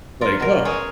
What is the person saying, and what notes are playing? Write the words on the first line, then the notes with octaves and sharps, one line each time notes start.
Like, "Ugh,
F4 A#4
B2 A#4
C#4 G#4 C#5